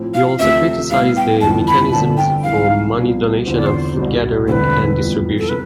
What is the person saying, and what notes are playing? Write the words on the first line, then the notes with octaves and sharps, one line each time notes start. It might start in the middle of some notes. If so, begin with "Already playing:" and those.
He also criticised the mechanisms for money donation and food gathering and distribution.
Already playing: A2 F3 C4
F5
D2 C3 F3 A3 C4 E5
A2 G3 B3 F5
G5
G1 F2 E3 B3 A5
B5
G1 G2 D3 A3 C4 A5
G5
C2 C3 E3 F5
C2 C3 F3 B3
E2 D3 F3 C4 C5
D5
C5
C2 B2 G3
E1 D2 D3 G3 C4 B4 C5
F2 E3 G3 B3
A4
C3 B4